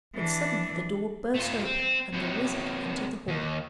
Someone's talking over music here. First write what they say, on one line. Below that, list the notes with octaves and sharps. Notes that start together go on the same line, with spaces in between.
But suddenly the door burst open, and the wizard entered the hall.
E3 D4
A3 F4
C4
C3 F#3
D#2